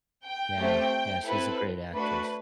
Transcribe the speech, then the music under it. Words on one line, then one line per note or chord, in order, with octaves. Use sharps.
Yeah, yeah, she's a great actress.
G5
A3 C4 G4
C4 E4 A4 B4
A3 D4 F#4 B4